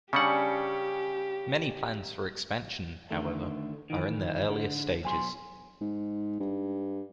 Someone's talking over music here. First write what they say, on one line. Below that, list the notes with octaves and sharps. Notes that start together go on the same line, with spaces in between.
Many plans for expansion, however, are in their earliest stages.
C#3 G3 C#4 D4 G4 F#5
D3 D#3 A3
D#3 E3
D3
B1 G#5 C6
G#2
G2